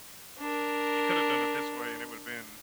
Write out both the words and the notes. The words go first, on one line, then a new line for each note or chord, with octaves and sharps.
You coulda done it this way, and it would’ve been"
D4 A#4